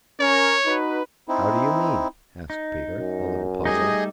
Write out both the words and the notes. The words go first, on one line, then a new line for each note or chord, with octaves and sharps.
"How do you mean?" asked Peter, a little puzzled.
C#4 A#4 C#5
D#4 F#4 B4
C4 D#4 E4
D#4
F#2
G3 A3 D#4 G#4 D#5